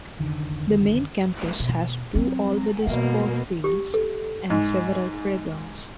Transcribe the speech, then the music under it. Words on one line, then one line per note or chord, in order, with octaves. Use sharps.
The main campus has two all-weather sports fields and several playgrounds.
F1 D3 D#3
B2
F#3 C4
B2 G3 A#3
G4
A4
G#2